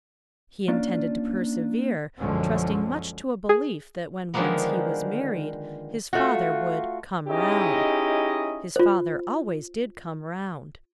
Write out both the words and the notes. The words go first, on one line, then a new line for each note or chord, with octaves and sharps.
He intended to persevere, trusting much to a belief that when once he was married his father would "come round." His father always did come round.
A#3 C#4 D4 F4 D5
A#1 F#2 D3 F3 G#3 C#4
G#4
D3 D#3 F3 G#3 A#3 B3
A3 F4 F#4
C#4 D#4 E4 G4 G#4 D#5
F4 C5